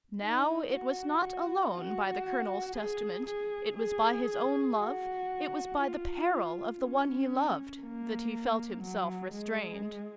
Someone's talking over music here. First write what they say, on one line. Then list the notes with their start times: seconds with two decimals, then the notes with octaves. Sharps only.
Now, it was not alone by the colonel's testament, it was by his own love, it was by the peril of the one he loved, that he felt himself restrained.
0.23 D#4
0.73 F#4
1.24 F#4
1.75 F#4
2.76 G#4
3.27 G#4
3.77 G#4
4.79 F#4
5.80 F4
6.81 C#4
7.82 A#3
8.83 F#3
9.34 G#3